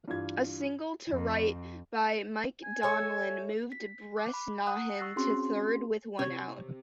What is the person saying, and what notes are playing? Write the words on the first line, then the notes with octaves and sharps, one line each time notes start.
A single to right by Mike Donlin moved Bresnahan to third with one out.
G2 E3 F4 G#6
F2
G#5
A4 C#5 E5
B6
D6 F#6
B5
F#5 A#5 D#6 F#6
C#6 E6 F#6 A6 A#6 C7
C4 C#4 F#4 G#4 C6
C3 C#5